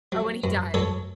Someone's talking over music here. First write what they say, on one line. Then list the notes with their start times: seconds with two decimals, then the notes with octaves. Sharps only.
oh, and he died.
0.12 F#3
0.44 F#2
0.74 F#2 A4 C#5